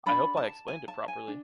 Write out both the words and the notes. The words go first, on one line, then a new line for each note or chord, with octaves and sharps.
I hope I explained it properly.
D4 F#4 A4 B5
A5
G#5
A5
G#5
D4